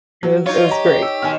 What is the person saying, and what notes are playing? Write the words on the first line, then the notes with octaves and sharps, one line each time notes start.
It was it was great.
F#3
D#4 F4 C#5
G4 A#5
E6
B2 D#3 G#5 F6